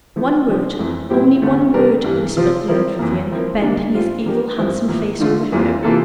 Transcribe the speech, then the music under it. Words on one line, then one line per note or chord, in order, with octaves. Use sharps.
"One word--only one word," whispered Lord Vivianne, bending his evil, handsome face over her.
F3 A3 E4
C3 F3 C4
F2 E3 A3
A#2 G3 C4 E4 G4
E2 D3 A3
C3 G3 D4 G4 A#4
G2 E3 G3
C3 F3 C4 F4
F3 C4 E4 A#4
F2 E3 A#3
F3 C4 E4 A#4
D3 G3 A#3 D4
A2 G3 C4 F4
F3 A#3 D4 G4 A#4
G2 F3 C4 E4
A2 F3 A#3
D3 A3 D4 F4
F2 E3 G3 A#3 F4
C3 E3 A#3 F4 A4